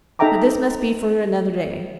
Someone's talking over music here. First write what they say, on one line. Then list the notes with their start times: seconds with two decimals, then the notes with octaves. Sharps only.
But this must be for another day.
0.19 D#4 A4 E5 G5 A#5 D6